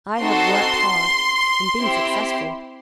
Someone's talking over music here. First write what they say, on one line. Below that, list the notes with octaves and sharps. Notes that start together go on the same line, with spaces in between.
I have worked hard and been successful.
C4 D#4 F#4 A4 C6
C4 E4 G4